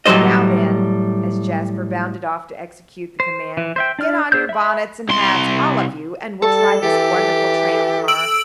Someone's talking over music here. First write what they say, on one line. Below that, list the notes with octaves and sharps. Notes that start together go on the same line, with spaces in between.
Now then," as Jasper bounded off to execute the command, "get on your bonnets and hats, all of you, and we'll try this wonderful tram-car.
A2 F#3 G3 C5 D#5
C5
E3
C5 E5 G5
D4 D5 F6
B3 G#4 C5 E6 G6
E5 B5
C2 C6
G3 A4 A5
E3 G4
E6 D7 F#7